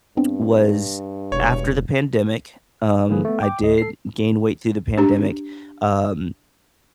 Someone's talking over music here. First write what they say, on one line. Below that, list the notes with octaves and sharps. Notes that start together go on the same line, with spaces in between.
was after the pandemic, um, I did gain weight through the pandemic. Um,
G2 B3 C4 D4
E1 C#5
D3 E3 F3 A#3 G#4 B4
A3 B3
G5 D6
D2 D#5
A4 C7
D4 G4 A#5